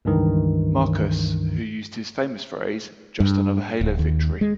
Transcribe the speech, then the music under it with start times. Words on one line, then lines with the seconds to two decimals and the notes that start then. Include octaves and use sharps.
Markas, who used his famous phrase Just another Halo victory!
0.05 C#2 G2 D#3 E3
3.20 G2
3.81 D1
3.99 D#2
4.41 G#3